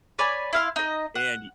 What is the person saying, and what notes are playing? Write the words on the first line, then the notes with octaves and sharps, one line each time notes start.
And y
B4 C#5 D5 G#5
E4 F5 C6
D#4 D#5
F#5